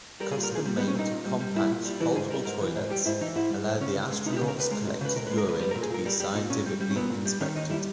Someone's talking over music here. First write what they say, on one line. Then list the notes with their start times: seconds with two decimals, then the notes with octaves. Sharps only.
Custom-made, compact, foldable toilets allow the astronaut's collected urine to be scientifically inspected.
0.20 G3 A#4
0.31 G#4
0.36 A#2
0.43 A#4
0.51 A#2 G#4
0.66 G3
0.77 B3
0.80 G3
0.88 C#4
0.95 A#2 D#4
1.11 A#2
1.26 G3
1.40 G3
1.55 A#2 E4
1.71 A#2
1.85 G3
2.00 E3 E4
2.15 G#2 G#4
2.30 G3 A#4
2.45 G#2 A#4
2.61 E3
2.76 G#2
2.90 G3 G4
3.06 G#2 E4
3.21 E3 D#4
3.35 G#2 E4
3.50 G3
3.66 G#2
3.80 C#3 C#4
3.96 C#2
4.11 G#3
4.25 C#2 D#4
4.33 E4
4.37 G4
4.41 C#3
4.48 A#4
4.56 C#2 B4
4.71 G#3 A#4
4.85 C#2
5.01 C#3 B4
5.16 C#2 A#4
5.27 B4
5.31 G#3
5.38 A#4
5.46 C#2 B4
5.60 G3 B4
5.71 A#2 A#4
5.83 G#4
5.90 A#2 A#4
6.06 G3 A#4
6.20 G3 G4
6.35 A#2 D#4
6.50 A#2 C#4
6.66 G3
6.80 G3
6.90 C#4
6.96 A#2 B3
7.10 A#2
7.25 G3
7.40 D#3 C#4
7.55 D#2 D#4
7.70 G3 E4